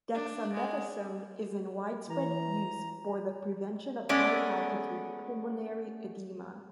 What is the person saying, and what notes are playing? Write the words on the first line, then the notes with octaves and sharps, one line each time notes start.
Dexamethasone is in widespread use for the prevention of high altitude pulmonary edema.
D4
G#3
E3 A#5
G#3 A3 B3 C#4 D5